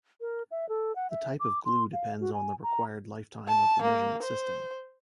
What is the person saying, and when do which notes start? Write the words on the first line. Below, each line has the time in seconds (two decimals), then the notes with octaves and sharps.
The type of glue depends on the required lifetime of the measurement system.
0.21 A#4
0.51 E5
0.69 A4
0.95 F#5
1.10 E5
1.40 D6
1.65 C6
1.93 F5
2.20 F#4
2.34 G#5
2.63 A#5
3.48 A5
3.82 A#3
4.23 C5